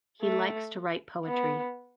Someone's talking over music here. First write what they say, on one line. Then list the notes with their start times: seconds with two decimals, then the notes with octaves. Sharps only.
He likes to write poetry.
0.22 A3
1.26 B3